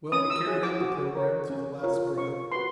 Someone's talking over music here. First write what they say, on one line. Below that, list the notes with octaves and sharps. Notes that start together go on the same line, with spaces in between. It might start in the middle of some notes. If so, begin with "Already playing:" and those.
Well, he carried out the programme to the last breath.
C#4 D#6
E6
E4 G#4 C#5
D6
F#4
A#4 C#5
C#4
F4 A#4 C#5
C#4 C#6
F#4 B4 C6